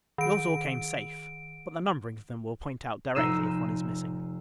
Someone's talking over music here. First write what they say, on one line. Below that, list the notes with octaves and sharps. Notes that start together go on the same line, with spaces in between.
Your's all came safe; but the numbering of them will point out, directly, if one is missing.
D#3 D7
F1 D#4 E6 C7 D#7 E7